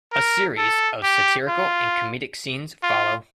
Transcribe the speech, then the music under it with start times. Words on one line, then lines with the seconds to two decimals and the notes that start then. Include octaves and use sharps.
A series of satirical and comedic scenes follow.
0.13 A#4
0.58 A4
1.03 G4
1.48 F4
2.83 F4